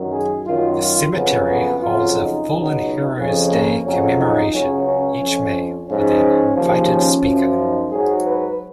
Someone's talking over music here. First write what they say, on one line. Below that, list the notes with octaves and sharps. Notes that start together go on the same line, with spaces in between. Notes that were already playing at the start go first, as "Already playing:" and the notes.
The cemetery holds a "Fallen Heroes Day" commemoration each May with an invited speaker.
Already playing: F#2 D#3 F#3
G#4
F#2 D#3 F#3 F4
F4
F2 C#3 F#3 B3
B3
F2 C#3 F#3 F4
D#4
C#2 B2 F#3
F2 C#3 F3
A#3
F2 C#3 F#3 C#4
D#4
C#2 C#3 F#3 C#4
C#4
F2 F3
G#2 F3 C#4
D#2 C#3 F3
C#4
F#2 F3
D#4
G#2 F#3 G#4
B4